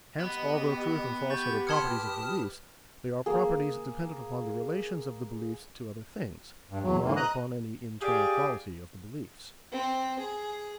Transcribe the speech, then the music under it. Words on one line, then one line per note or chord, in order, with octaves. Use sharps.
Hence, although truth and falsehood are properties of beliefs, they are properties dependent upon the relations of the beliefs to other things, not upon any internal quality of the beliefs.
B3 G4 D#5
G4 B4 C#6 G6 A6
A5 C6 D#6 F6 G#6 C#7
A#3 G#4
G2
E2 F#3
G#2 D3 E3 A#3
D#5 A#5 D#6 F#6
G4 G#4 D5 F5 G#5
C4
G#4